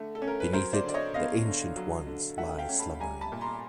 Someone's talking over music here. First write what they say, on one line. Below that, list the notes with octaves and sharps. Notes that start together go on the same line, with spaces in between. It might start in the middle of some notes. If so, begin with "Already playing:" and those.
Beneath it the "Ancient Ones" lie slumbering.
Already playing: D3 A3
A4
C#4
A#4
B4
F#3 A#4 C5
C5 D5
D3
D5
C#5 D#5
B3 D#5 F5
D3
F#3
D3
A3 E5 F#5
F5 G5
C#4
A5 B5
G3 G#5 A#5
A5 B5
A#2
A#5 C6